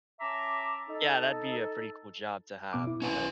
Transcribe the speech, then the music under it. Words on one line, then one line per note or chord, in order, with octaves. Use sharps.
Yeah, that'd be a pretty cool job to have, but
C#4 E5 A5 A#5 D6
D#4 A4
B2 B3 D6
E4
C#4 B4 G#5